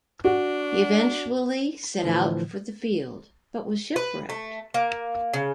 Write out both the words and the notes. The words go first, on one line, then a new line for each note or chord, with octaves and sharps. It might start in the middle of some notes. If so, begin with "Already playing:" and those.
He eventually set out for the field, but was shipwrecked.
D4 F#4
A2 D3 E3 F3
B4
A3
A#3
C#3